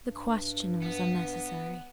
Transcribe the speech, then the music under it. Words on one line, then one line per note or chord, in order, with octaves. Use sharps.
The question was unnecessary.
G2
B3